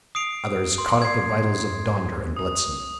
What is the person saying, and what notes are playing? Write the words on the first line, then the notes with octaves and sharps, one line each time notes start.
Others caught at the bridles of Donder and Blitzen.
D#6 C7 D7 F7
C6
G#6 C7
D#6